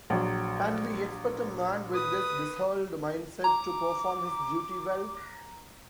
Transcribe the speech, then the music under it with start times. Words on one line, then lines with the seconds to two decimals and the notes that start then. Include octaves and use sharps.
Can we expect a man with this disheveled mind-set to perform his duty well?
0.10 A#1 F#3
1.93 B4 D#6
3.44 A#5 D6